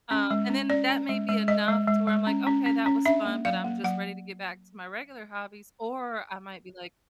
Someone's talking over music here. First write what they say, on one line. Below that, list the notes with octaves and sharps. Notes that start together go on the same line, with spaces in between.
um, and then that may be enough to where I'm like, "Okay, that was fun, but I'm just ready to get back to my regular hobbies," or I might be like,
C#4
G#3
C#4
C#4 D5
C#4
G#3
G#3
G#3 D#5
G#3
G#3
G#3
C#4
C#4
C#4
C#4
D4 E5
A#3
F#3 F5
A#3
F#3 F#5